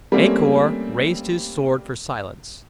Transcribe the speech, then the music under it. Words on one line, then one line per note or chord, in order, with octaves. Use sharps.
A-Kor raised his sword for silence.
G3 A3 A#3 C4 C#4